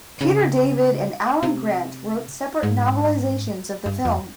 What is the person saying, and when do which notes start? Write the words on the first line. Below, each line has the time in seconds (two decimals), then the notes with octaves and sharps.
Peter David and Alan Grant wrote separate novelizations of the film.
0.21 C#3
1.43 C3
2.63 G#2
3.86 G2
4.05 F2